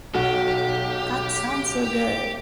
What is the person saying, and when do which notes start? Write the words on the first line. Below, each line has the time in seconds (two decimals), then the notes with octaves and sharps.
That sounds so good.
0.14 B1 F#4 G4